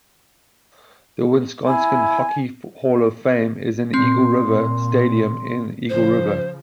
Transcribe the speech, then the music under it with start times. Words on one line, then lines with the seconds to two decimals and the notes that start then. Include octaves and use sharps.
The Wisconsin Hockey Hall of Fame is in Eagle River Stadium in Eagle River.
1.67 E4 G#5
3.94 A#2 C4 C6
5.89 C#3 F3 C5